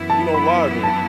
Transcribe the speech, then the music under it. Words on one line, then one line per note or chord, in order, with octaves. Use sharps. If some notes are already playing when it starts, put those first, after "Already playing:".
you know, live and
Already playing: F#2 E3 B3 E4
A5
B5
A5